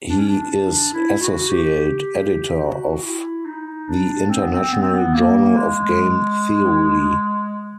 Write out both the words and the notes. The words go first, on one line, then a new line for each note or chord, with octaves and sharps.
He is associate editor of "the International Journal of Game Theory".
D4
C#4
D4
D4
E4
F#4
G4
F#4
E4
D#4
D4
C4
B3
C4
B3
C4
B3
A#3
G#3